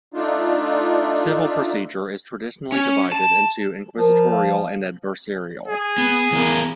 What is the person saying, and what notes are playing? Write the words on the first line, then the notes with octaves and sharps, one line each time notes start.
Civil procedure is traditionally divided into inquisitorial and adversarial.
A3 D4 D#4 F4
C#4
A5
F3 A#4
F5
G#4
B3
E3 B3 A#4